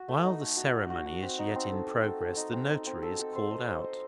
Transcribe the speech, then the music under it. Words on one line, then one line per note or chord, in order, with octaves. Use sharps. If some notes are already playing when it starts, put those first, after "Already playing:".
While the ceremony is yet in progress, the notary is called out.
Already playing: F#4
A3
D#4
A3
F#4
A3
F#4
F#4
C4
D#4
C4
A4
A4
A4
A4
D#4
C4
D#4
C4
A4
A4
C5
D#5
C5
D#5